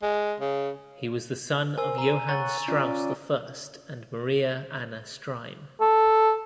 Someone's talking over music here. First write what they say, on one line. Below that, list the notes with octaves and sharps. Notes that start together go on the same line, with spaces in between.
He was the son of Johann Strauss I and Maria Anna Streim.
G#3
C#3
A#4 C5 G#5 E6
C5 A#5 D#7
C#5 F#5 A#5 C#6 A6
C#4 F4 D5
A4